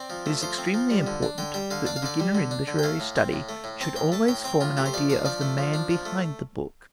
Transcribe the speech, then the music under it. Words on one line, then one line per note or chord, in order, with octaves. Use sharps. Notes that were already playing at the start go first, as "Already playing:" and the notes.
It is extremely important that the beginner in literary study should always form an idea of the man behind the book.
Already playing: C4 D5
F3
A3
F3 C5
C4
F3
G3
D3
D4
D3 G5
G3 G5
D3 F5
D4 D5
F5
D3 D5
G3
D3
D4
D3
G5
A3 F5
A2
C4
A2
A3
A2
C4 A5
A2 G5
A3 A5
A2 G5
C4 G5
A2 F4
A3 G4
C5
F3 D5
D4 F5
F3 D5
A3
F3
D4
F3
A3